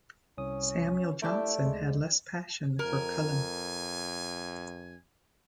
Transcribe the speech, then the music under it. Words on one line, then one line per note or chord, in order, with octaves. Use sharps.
Samuel Johnson had less passion for Cullen.
C2 C#4 D#6
A3 D4 E4 G4 G5
D2 G#3
F2 A#4 G#5